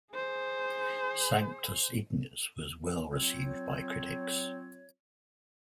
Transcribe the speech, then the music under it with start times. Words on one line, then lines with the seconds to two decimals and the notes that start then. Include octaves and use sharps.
"Sanctus Ignis" was well received by critics.
0.13 G#4 C5
3.11 F#3 C4 F4 C#5